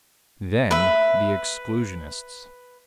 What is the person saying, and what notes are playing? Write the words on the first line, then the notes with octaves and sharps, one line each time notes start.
Then the exclusionists.
B4 E5